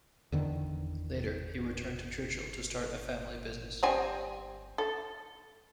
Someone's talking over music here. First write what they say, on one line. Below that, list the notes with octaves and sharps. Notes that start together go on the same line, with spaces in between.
Later, he returned to Churchill to start a family business.
E2 D3 D#3
G3 C4 G#5
A4